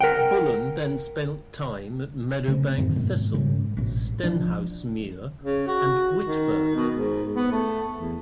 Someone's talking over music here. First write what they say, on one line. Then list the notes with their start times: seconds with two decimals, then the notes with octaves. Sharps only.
Bullen then spent time at Meadowbank Thistle, Stenhousemuir and Whitburn.
0.01 A#4 F#5 G5
2.48 C#3 A3 C4
2.78 F#2 A2 D3 D#3
2.96 G#2 B2
3.34 G#2 C#3 G3 C#4
3.77 A1 B2
4.23 F3 D4
5.43 C#3
5.67 F#4
6.25 D#3
6.75 B2
6.95 G#2
7.34 B3
7.51 A3
7.99 E2